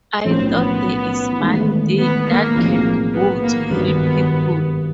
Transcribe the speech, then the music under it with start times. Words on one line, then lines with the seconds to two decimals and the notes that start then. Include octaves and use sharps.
I thought there is money there that can go to help people.
0.24 B1 A2 F3 A#3 C4 C#4
0.54 B3
1.40 G#1 G#2 E3 A3
1.97 B3
2.26 A#3
2.55 B1 A2 F3 G#3 C4
3.12 B3
3.41 A#3
3.70 G#1 G2 D#3 F#3 A#3 B3